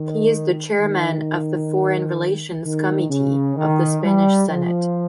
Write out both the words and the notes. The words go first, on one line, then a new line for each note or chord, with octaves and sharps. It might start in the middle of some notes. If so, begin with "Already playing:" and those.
He is the Chairman of the Foreign Relations Committee of the Spanish Senate.
Already playing: D#3
D#3
D#3
C#3
D#3
G3
F3